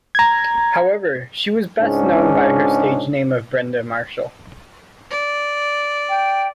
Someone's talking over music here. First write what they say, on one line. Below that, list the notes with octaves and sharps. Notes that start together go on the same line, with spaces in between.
However, she was best known by her stage name of Brenda Marshall.
A#5 G#6
C#2 G#2 C#4 D4
D5
G5